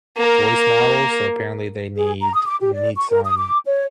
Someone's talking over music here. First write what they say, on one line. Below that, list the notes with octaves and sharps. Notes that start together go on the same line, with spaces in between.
voice models, so apparently they need need some
A#3 A#4
G#4
A#5
D#6
D6
G4
D5
C#6
A#4
D#6
D6
C#5